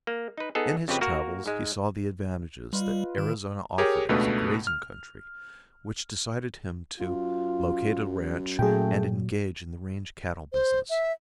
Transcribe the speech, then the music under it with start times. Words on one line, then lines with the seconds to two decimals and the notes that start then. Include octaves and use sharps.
In his travels he saw the advantages that Arizona offered as a grazing country, which decided him to locate a ranch and engage in the range cattle business.
0.07 A#3
0.37 D#4 B4
0.55 B3 D#4 G#4 A4
0.88 F2 C#3 C4 G4 B4
1.01 A#3 F#4 A#4
1.46 G#2 G#3
2.73 G3 F4 B4 D#5
3.18 D#3
3.78 G4 G#4 A#4 C#5
4.09 C#2 B2 A3 D4 B4
4.67 F6
7.00 F#2 F4
8.59 A#2 F#3 A3 G#4 G5
10.53 C5
10.90 E5